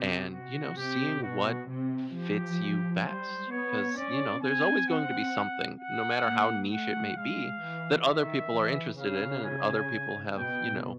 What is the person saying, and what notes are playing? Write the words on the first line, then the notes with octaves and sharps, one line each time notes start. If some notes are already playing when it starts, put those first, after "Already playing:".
and, you know, seeing what fits you best, 'cause, you know, there's always going to be something, no matter how niche it may be, that other people are interested in and other people have, you know,
Already playing: C3 G4
F#4
C3 G4
B2 F#4
C3
F3 G4
G3 C5
B3 C#5
C#4 D5
C4 G#5
C4 F#5
F#5
A#3
A3 F#5
G#3 F5
E3
D#3 E5
E3
C#3 F5
G#5
B2 G5